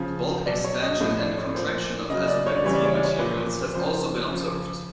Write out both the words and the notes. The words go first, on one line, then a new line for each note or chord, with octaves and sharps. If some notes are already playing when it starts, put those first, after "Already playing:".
Bulk expansion and contraction of azobenzene materials have also been observed.
Already playing: C#3 F3
B2 F#3 D5
C#5
D#5
A2 F3 D#5
D5
C#5
A#2 F3 C5
C#3 F#3 D#5
D5
C#5
D5
C#3 E3 G3 C#5
D5
C#5
D5
C#5
A#2 F3 B4
C#3 F3 C5
C#3 F3